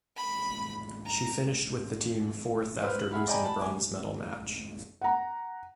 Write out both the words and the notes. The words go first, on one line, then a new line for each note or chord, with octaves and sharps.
She finished with the team fourth after losing the bronze medal match.
B5
A#5
B4 C5 F6
F#7
G#4 E5 F#5 B5 F6
D5 D#5 G5 G#5 A#5 B5
A5 B5
G#1 G#5 D6
F#5 A#5